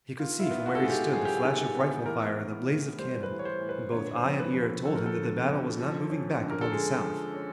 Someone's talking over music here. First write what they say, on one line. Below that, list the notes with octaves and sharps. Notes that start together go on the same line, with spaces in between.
He could see from where he stood the flash of rifle fire and the blaze of cannon, and both eye and ear told him that the battle was not moving back upon the South.
D#3 F4
E4
F4
B3
F#4
A4
G#2 G#4
G4
F#3 G#4
G4
G#4
D#3
B3
E3 A#4
A2
A2
G3 C5
B4
E3
C#5
C5
A2
B4
D3 C#5
B4
C5
F2
B4
F2
A4
F3 A4
A#4
A4
D3
F2
F3
C#4
D3
A#4
A4
G#3 G#4
F3
C#4